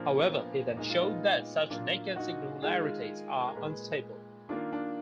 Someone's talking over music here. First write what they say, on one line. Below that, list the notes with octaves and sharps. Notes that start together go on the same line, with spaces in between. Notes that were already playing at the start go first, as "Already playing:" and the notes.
However, he then showed that such "naked singularities" are unstable.
Already playing: A#2 F3 A#3 D4
B3
A#2 G#3 D#4
F4
B3 D#4
A#2 F#3 A#3 D4 F4
D#4 F#4
D#3 G#3 F4 G#4
A#4
A#2 G#3 G#4 B4
D#3 A#3 D4 F4
D4